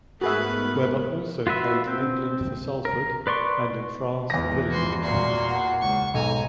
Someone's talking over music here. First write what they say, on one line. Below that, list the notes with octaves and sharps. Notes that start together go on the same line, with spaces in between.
Webber also played in England for Salford and in France for Villeneuve.
G#2 A3 B3 F#4 G#4 A#4 B4 E5
F4 F#4 B4 E5
C4
A#4
B4 D5 C6 C#6
E2 E3 A#6
F3 F#4 C6
A#2 A#3 F#4 D5 C6
F#5
C#2 C#6
B1 G#2 A4 G#5 A#5